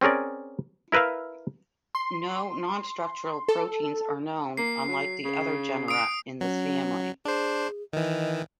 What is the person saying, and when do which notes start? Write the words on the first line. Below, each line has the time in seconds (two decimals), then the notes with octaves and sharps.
No nonstructural proteins are known unlike the other genera in this family.
0.01 C4 C#4 G#4 A#4 D5
0.92 E4 A#4 B4 E5 F5
1.95 C6
3.48 A4
4.57 A#3 C7
4.88 F#3
5.25 C#3
5.88 D#6 C7 D7
6.41 F#3 C#4
7.25 D4 G#4 C5
7.93 D#3 E3 D#5